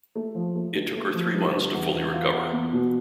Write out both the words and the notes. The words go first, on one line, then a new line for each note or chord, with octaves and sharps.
It took her three months to fully recover.
A3
F3
A3
G1
A3
F3
G2
G1
E2
E2
F4
E2
B3
B2